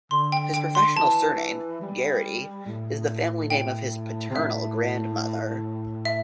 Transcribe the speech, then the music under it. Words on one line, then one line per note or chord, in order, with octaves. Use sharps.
His professional surname, Garity, is the family name of his paternal grandmother.
D3 C6
G5
D3 G5
C6
D3
E3 A5
G3
A2
A2 G5
C3
A2 E5
E5